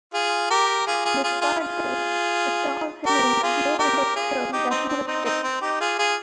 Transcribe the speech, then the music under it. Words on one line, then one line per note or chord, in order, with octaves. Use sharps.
Despite this, the town remains more industrial than touristic.
F4 G#4
G4 A#4
F4 G#4
F4 G#4
F4 G#4
F4 G#4
F4 G#4
G4 A#4
F4 G#4
G4 A#4
F4 G#4
D#4 G4
C4 D#4
C4
C4 D#4
C4 D#4
C4
D#4 G4
F4 G#4
F4 G#4